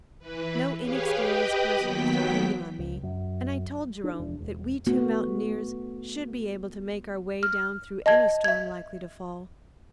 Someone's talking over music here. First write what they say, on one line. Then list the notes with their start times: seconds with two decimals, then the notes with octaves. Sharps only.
No inexperienced person was depending on me, and I told Jerome that we two mountaineers should be able to make our way down through any storm likely to fall.
0.19 E3 B4
0.79 G4 G#4 B4 C#5 F5
1.17 G4 B4 D#5 G5 B5
1.77 D#2 F#3 B3 G5 B6
2.79 C#2
3.03 F#2
4.04 D4
4.19 E1
4.40 E1
4.86 A3 B3 F#4
7.43 F6
8.06 D#5 A5 G#6
8.44 E5 G#6